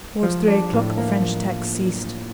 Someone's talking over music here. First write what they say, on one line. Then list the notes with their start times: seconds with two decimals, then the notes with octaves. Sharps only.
Toward three o'clock the French attacks ceased.
0.23 F3
0.48 D4
0.73 A2
0.98 A#3
1.22 F3